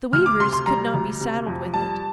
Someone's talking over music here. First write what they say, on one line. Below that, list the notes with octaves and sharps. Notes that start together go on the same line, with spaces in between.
The weavers could not be saddled with it.
D2 F6
D6
C3 C6
C6
G3 A#5
D2
C3
F2
G3 A5